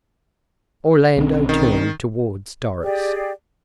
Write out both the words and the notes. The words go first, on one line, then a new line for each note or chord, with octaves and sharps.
Orlando turned towards Doris.
B1 C4 C#4
D#3
G4 G#4 D5